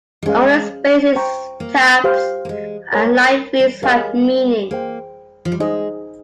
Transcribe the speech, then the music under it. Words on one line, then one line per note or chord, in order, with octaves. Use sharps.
Only spaces, tabs and linefeeds have meaning.
G3
G#3 C#4 G#4 C5 F5
C5 G5 A#5 C#6
A#3
G4 C5 F5
A#3
G#3
A#4 C#5 G5 A#5
G3
G#3 G4 A#4 C#5 F5 G#5
A#3 G#4 C5 G5
F3
G3
G#3 D#4 G#4 C5 D#5